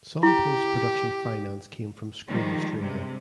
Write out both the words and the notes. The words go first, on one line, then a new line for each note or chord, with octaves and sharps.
Some post production finance came from Screen Australia.
E4 G4
D#3 F3 G3 G#3
G2 C3 G#3